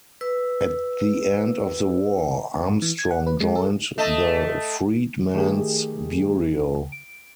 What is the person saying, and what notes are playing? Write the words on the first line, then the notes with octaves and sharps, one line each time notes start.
At the end of the war, Armstrong joined the Freedmen's Bureau.
B4 E6
G#2
E3
G#6
F#5
B4
G#3
A4
A3 A4 D#5
D#3 A3 G4 G#4
D7